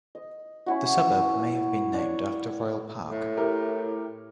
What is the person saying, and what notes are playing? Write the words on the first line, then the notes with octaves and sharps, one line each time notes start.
The suburb may have been named after Royal Park.
D#5
C#4 E4 F#4
D4 C#5
A2
E4 G4 A#4